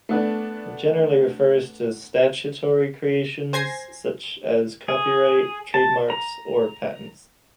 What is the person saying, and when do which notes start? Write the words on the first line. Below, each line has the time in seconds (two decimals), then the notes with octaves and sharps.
It generally refers to statutory creations such as copyright, trademarks, or patents.
0.09 A3 B3 D4
3.53 C5 G#5 G#6 A#6 C7
4.88 G#4
5.74 A5
6.10 A#5